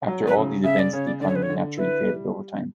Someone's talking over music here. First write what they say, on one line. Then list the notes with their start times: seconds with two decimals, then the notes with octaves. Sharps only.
After all these events the economy naturally faded over time.
0.08 F#3
0.27 B4
0.36 C#3
0.64 C#3 E5
0.79 D5
0.93 C#3 C#5
1.07 D5
1.21 D3 D5
1.28 C#5
1.35 B4
1.42 C#5
1.49 D3
1.77 E4 B4
2.06 G3